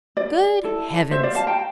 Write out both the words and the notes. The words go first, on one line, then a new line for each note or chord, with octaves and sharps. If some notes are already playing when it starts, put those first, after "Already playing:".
"Good Heavens!"
D5
E4 A4
C5 E5
D5 F5
F5 A5
G5 A#5